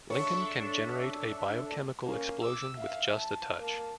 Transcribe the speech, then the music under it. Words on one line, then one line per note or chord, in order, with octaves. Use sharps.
Lincoln can generate a biochemical explosion with just a touch.
D4 A4 C#5 E5
A#3 C#4
D6 E6
E5 F5
A5
A#3 A5